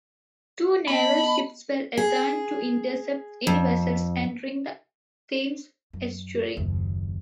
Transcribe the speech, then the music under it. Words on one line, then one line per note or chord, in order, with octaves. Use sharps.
Two naval ships were assigned to intercept any vessels entering the Thames estuary.
B3 D#5 A5 B5
G#4
F2
F#2
F#1 D#2